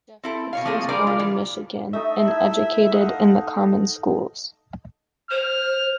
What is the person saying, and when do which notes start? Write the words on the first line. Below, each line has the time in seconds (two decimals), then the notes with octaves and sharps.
Jeffords was born in Michigan and educated in the common schools.
0.24 C4 E4 A4
0.53 B2 C#5 F5
0.65 F3 A3 A#3 C4 G#4 A4
0.88 G3 D4 G#4 A#4 C5 D5
1.07 F3 F4
1.19 E3
1.93 A3 D#4 E5 A5
2.27 E4
2.92 D#4 F5 F#5
5.31 C5 F6